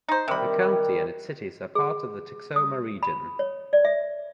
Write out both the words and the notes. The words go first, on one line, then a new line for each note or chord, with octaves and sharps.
The county and its cities are part of the Texoma region.
D#4 C5
C3 D#3 G3 B5
G#4
D#6
B5
C#5
D5
E5